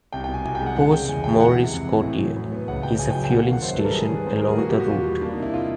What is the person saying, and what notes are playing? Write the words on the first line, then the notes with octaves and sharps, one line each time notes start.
Poste Maurice Cortier is a fueling station along the route.
C2 G5
G5
B2
G#5
C2 G#5
G5
G#3
F#5
G#3 F#5
C#3 G5
E2 G#5
E3 G5
G#3 F#5
C3
F2
E3
A2
F#3
A2
B3
C#2 F#5
B2 G5
C#2 G#5
G5
F#3
G5
A#3 F#5
F5
D#3
F#5
F#2 C5
B4
G3 A4
A#4
G#2 G#4
D#3 B4
G#2 C5
G3 A#4
G#4
A#3 F#4
G4
B2 F#4
E2 F4
G3
A#3 D4
D#4
C3 E4
F4